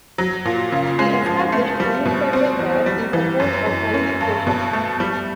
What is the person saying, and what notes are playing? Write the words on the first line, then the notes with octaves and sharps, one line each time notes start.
He established a newspaper there in support of nullification.
F#3
A#2
C#3
G#3
F3
A3
G3
B2
C4
E2
G3
E3
F#2
F#2
C#4
G2
B2
A3
G3